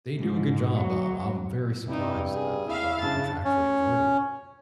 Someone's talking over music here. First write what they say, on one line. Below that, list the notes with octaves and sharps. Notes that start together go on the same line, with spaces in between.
They do a good job, um, I'm very surprised a about how much I actually enjoyed it.
G#2
F#3
G2 C3 D#4 E4
G#4
E4 E5 F5
C#3 D4 F5 A5 A6
C#4